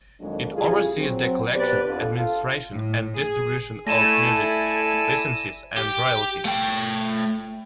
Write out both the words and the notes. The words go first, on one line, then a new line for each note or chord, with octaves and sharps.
It oversees the collection, administration and distribution of music licenses and royalties.
F2 G#2 D#3 F#3 G#3 D4
A2 C#3 G3 F4 G#4
F#3 C4
B2 G4 B4 C5 D5
F2 D3 F4
F4 A4
A2
G#4
A3 E4 A4 D5 G#5 A#6 D#7 E7
G4
A3 G5